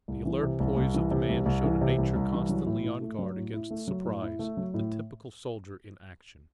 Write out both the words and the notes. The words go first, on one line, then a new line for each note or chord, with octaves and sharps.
The alert poise of the man showed a nature constantly on guard against surprise--the typical soldier in action.
C2
E3
C3
C2
C2
E3
C3
C2
C2
E3
C3
C2
C2
E3
F#3
A2
E4
A3
F#3
A2
E4
A3
F#3
A2
E4
A3
F#3
A2